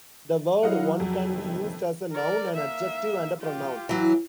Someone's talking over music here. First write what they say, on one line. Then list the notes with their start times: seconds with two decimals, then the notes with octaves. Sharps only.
The word one can be used as a noun, an adjective and a pronoun.
0.63 F#3 E4 D#5 F5 F#5
1.00 C2 F2 G#4
1.30 G1 D#2 C3
2.12 A#4 D5
2.55 A#3 E5
3.41 F4 G4
3.89 E3 F#3